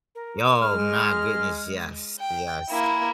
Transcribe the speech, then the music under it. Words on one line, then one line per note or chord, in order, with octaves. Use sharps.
Oh my goodness, yes, yes.
A#4
G#3 F6
G5
A#3 E4